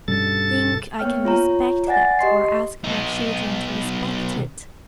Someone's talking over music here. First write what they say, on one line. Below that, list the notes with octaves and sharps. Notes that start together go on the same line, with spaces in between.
Think I can respect that, or ask my children to respect it?
G2 B2 G3 C#4 A4 A6
A#3 B3 C#5 G5 F6
F4 C#5 A#5
D5 F#5 G#5 A6 A#6
G4 D#5 C6 C7
B2 D#4